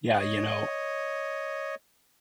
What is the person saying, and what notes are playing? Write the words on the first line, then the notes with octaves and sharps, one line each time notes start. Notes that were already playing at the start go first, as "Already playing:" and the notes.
Yeah, you know,
C#5 D#5